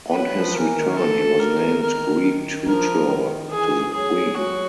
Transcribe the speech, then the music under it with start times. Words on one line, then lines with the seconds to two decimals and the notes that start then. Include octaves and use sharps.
On his return he was named Greek tutor to the Queen.
0.12 F#3 B4
0.33 F3
0.54 E3 A#4
0.76 D#3
0.97 A4
1.39 A#4
1.82 D#3 A#4
2.66 F3 A#4
3.08 D#3
3.50 E3 G#4
3.93 F#3 G#4
4.35 F#3 F#4